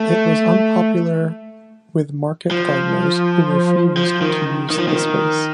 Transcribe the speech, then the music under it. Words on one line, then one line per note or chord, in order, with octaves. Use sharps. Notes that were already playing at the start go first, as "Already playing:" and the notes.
It was unpopular with market gardeners who refused to use the space.
Already playing: A3
F3
F3
D#3
D#3
F3
D#3